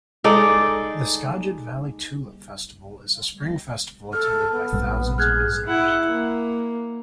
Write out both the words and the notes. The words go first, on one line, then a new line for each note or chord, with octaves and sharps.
The Skagit Valley Tulip Festival is a spring festival attended by thousands of visitors.
G#3 D#4 A4 D5
A4 F6
B3
A#1 G#2 G3
G#4 F6 F#6 G#6
E4 F#5
A#3